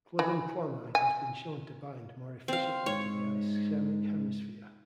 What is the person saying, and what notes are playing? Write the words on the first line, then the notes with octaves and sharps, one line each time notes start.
Glibenclamide has been shown to bind more efficiently to the ischemic hemisphere.
E3
G#5
C4 F5
G#2 C#5